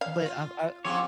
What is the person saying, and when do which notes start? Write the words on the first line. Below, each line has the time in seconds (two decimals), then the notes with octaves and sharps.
But I've I
0.01 F5
0.26 F4
0.85 F3 C4 C#4 E4 F4 G4 G#4 C#5